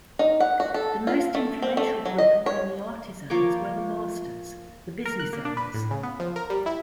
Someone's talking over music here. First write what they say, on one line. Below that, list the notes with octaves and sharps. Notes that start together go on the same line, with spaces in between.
The most influential group among the artisans were the masters, the business owners.
D#4
F#5
F#4
A4
F4
A3
C4
A3
F#3
D#5
C#5
F3 A#3 C#5 D6
A#4
F#6
A#3
D4
B4
A2
C#3
B3
F3
A#4
G3
E4